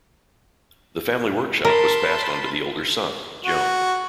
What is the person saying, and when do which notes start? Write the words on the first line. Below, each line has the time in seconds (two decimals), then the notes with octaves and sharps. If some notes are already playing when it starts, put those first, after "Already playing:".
The family workshop was passed onto the older son, Joan.
1.65 A#4 A5 B5 C6
3.43 F#4